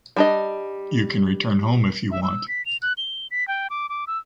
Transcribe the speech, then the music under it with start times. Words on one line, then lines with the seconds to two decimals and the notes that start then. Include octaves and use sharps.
You can return home If you want.
0.16 G3 D4 D#5
2.11 E5
2.23 E6
2.48 B6
2.66 F7
2.82 F#6
2.98 G7
3.31 B6
3.48 G5
3.70 D6
3.89 D6
4.07 E6